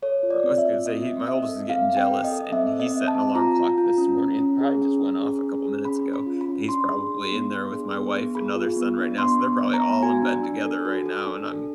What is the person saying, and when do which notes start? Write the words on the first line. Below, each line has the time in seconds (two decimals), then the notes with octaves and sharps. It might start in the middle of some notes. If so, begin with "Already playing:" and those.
I w was gonna say, he my oldest is getting jealous, and he set an alarm clock this morning it probably just went off a couple minutes ago, and he's probably in there with my wife and other son right now, so they're probably all in bed together right now, and I'm
0.02 A4 C#5
0.23 F4
0.30 D5
0.44 C4
0.58 E5
0.65 F4
0.85 C4 D#5
1.06 C4
1.20 D#5
1.27 C4 E5
1.49 A4
1.69 C4 F5
1.89 C4
1.97 G5
2.11 A4
2.24 D#5
2.32 A4
2.52 C4 E5
2.73 C4
2.80 D#5
2.94 C4
3.08 A5
3.15 C4
3.35 F4 A#5
3.56 F4
3.78 F4
3.98 C#4
4.18 C#4
4.40 C#4
4.61 G#4
4.82 C#4
5.02 C#4
5.23 G#4
5.43 C#4
5.65 G#4
5.85 C#4 B5
6.06 C#4
6.14 B5
6.27 F4
6.41 B5
6.49 C#4
6.68 D4 C6
6.90 G#4
7.10 D4
7.32 B3
7.52 D4
7.73 G#4
7.93 B3
8.15 B3
8.35 G#4 B5
8.56 F4
8.76 B3
8.98 D4
9.18 B3 C6
9.39 B3
9.60 B3
9.74 A#5
9.81 B3
10.03 F#4 G#5
10.22 D4
10.43 D4
10.65 A4
10.85 F#4
11.06 A4
11.27 D4
11.48 A4